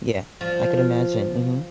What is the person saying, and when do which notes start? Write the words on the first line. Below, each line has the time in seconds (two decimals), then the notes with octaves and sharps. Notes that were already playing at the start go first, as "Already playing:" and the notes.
Yeah, I could imagine. Mhm.
0.41 F3